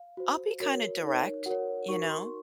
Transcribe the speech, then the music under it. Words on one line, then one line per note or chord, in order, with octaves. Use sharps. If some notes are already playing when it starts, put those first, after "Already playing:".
I'll be kinda direct. You know?
Already playing: F5
F#4 C5
F#4 A#4 C#5
D#4 A#4 C#5
F#4 A#4 C#5 F#5
D#4 F#4 A#4 C#6
C6